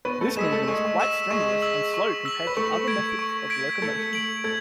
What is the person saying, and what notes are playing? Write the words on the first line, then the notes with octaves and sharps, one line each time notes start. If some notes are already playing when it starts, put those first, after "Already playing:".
This movement is quite strenuous and slow compared to other methods of locomotion.
B3 B4 C#6
A3 A4
G#3 G#4 E6 B6 E7
A3 A4
G#3 G#4 C#6
E6 B6 E7
G#3 G#4 C#6
E6 B6 F#7
C#6
E6 B6 F#7
B4
A3 A4 C#6
G#6 B6 D7
C#6
G#6 B6 D7
A3 A4 G#6
D7 F#7
A3 A4 G#6